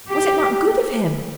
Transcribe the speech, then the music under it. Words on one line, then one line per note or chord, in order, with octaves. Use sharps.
Was it not good of him?'
G4